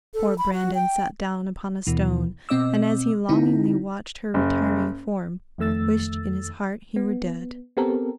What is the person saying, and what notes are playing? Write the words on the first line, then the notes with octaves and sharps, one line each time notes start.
Poor Brandon sat down upon a stone, and, as he longingly watched her retiring form, wished in his heart he were dead.
A4
B5
F#4
G5
D#2 B2 E3
B2 C4 D#5 D6 E6
D3 C4 D#4 E4
F#1
F2 D#3 A3 E6 A6
B3
B3 C4 G4 A4 A#4